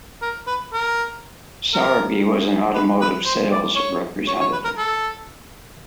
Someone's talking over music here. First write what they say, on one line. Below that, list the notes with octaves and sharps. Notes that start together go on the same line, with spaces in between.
Sowerby was an automotive sales representative.
A#4
B4
A#4
A#4
B4
B4
C5
D5
C#5
C#5
C#5
B4
A#4
A4